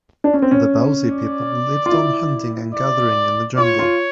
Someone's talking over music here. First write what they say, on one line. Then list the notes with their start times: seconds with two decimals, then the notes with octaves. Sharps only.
The Bauzi people lived on hunting and gathering in the jungle.
0.24 D4
0.34 C#4
0.42 C4
0.51 C#4
1.08 D5
1.86 F4
1.92 E4
2.74 D5
3.58 F4 C#5
3.79 F4